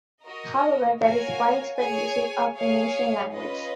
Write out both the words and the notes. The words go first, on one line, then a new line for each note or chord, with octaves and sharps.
However, there is widespread usage of Venetian language.
F#4 A#4 D#5
F#4 A#4 C#5 F5 G#5
G#4 C#5 G#5
G#4 C#5 F5 G#5
C#4 F4 B4 D#5